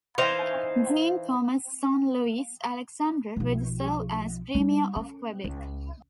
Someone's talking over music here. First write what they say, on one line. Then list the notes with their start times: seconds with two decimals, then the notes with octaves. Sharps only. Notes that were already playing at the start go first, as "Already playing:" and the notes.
Jean-Thomas's son Louis-Alexandre would serve as Premier of Quebec.
0.18 E3 D#4 C5 F5
3.36 B1 F3
4.54 G3 D#4
4.96 C#4
5.44 C#2